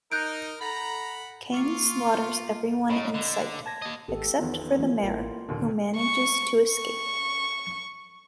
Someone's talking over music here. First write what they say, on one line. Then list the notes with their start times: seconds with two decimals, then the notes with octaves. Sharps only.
Cain slaughters everyone in sight, except for the mayor who manages to escape.
0.12 D#4 A#4 F#6 G6 D7
0.61 A4 F#5 A#5 B5
1.53 A#3 F4 C#6 D6
2.90 A2 D#5 A#5 B5
3.14 D3
3.66 A5 G#6 A#6
3.82 A#3 D#5
4.08 G#1 G4 A4
4.39 E2 D#3 F3 B3
4.79 E3 A#3 B3 F4
5.03 A1 A#3 E4 F4 A#4
5.48 F1 D#2 A#2 D3
5.96 C#6
6.68 C#6